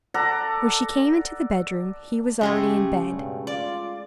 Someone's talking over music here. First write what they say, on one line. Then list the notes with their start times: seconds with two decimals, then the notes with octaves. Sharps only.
When she came into the bedroom, he was already in bed.
0.14 A4 D5 F#5 A#5
2.41 C#3 G#3 A3 G4
3.09 G2 B2 C#4
3.47 F4 D5